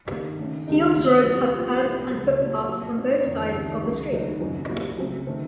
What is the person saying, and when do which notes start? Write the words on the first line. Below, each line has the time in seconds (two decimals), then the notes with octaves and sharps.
Sealed roads have kerbs and footpaths on both sides of the street.
0.09 C3 D#3 A#3
0.39 D#3 A3 C#4
0.68 C#2 C3 D#3 A3 D#4
0.96 D#2 D#3 A3
1.24 C2 A#2 F#3
1.53 C3 F3 A#3 F4
1.83 C2 A#2 F3 A#3
2.11 C#2 C#3 F#3
2.39 C2 A#2 F3 A3
2.69 A#2 F#3 A#3
2.97 A#2 F3 C4 D#4
3.26 F2 D#3 A3 C#4
3.54 C#2 C3 D#3
3.83 C#2 C#3 F#3 A#3
4.12 D#2 D#3 F#3 A3 D#4
4.40 F#2 C#3 F#3 C4
4.69 C2 A#2 F#3 A#3
4.98 C#3 F#3 A3 C4
5.27 D#3 A3 C4